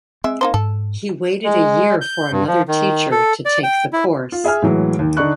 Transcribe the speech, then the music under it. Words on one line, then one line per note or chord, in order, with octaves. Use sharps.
He waited a year for another teacher to take the course.
G#3 C4 E5
A#3 D#4 C5
G#2 A4
G#3
G6
G2
F3
D#3
A4
D5
G5
E4
F4
G#4 E5 G#5 F6
A2 E3 F#3 G#3
D#2
D3 D4 D#4 D5 C#6 F#6